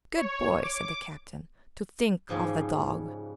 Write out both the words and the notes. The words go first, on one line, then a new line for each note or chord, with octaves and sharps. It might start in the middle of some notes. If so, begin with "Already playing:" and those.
"Good boy," said the captain, "to think of the dog."
C#5
D6
G#2 C#3 F3 G3